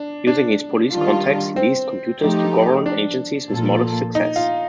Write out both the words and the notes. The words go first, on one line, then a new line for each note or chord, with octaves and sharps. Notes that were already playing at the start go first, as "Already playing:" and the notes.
Using his police contacts, he leased computers to government agencies with modest success.
Already playing: D4
D4
D#3 G3 D4 F4
C4
F3 A3 D#4 G4
D4
A#2 F3 A#3 F4 A4
D#4
F4